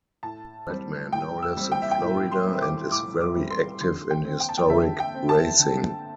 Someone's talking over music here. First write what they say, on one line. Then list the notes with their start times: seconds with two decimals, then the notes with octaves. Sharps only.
Redman now lives in Florida and is very active in historic racing.
0.23 A2 A5
0.68 G3 C4
1.12 A2 G5
1.42 E6
1.57 G3 C4
1.72 G5
1.82 E5
1.91 G5
2.02 A2
2.32 C6
2.46 G3 C4
2.61 D6
2.91 A2 D6
3.21 D6
3.36 G3 C4
3.51 C6
3.80 D3 C6
4.10 G5
4.25 C4
4.40 G5
4.49 A5
4.58 G5
4.70 D3 E5
5.00 G5
5.15 C4
5.29 A5
5.59 D3